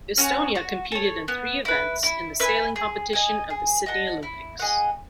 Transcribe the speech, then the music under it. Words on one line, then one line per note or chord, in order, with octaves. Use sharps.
Estonia competed in three events in the Sailing competition of the Sydney Olympics.
C#4 F#4 C#5
F#4
A4 C#5
B3
E4 B4
E4
B4 E5 G#5
G#4
D#5 G#5
G#4
D#5 F#5 A5
E4
G#4 D#5 F#5